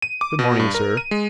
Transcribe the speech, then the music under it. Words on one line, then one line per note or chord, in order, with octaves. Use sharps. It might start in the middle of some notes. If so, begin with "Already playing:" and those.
Good morning, sir.
D#7
D6
B2
G2
A#4
D#7
G#3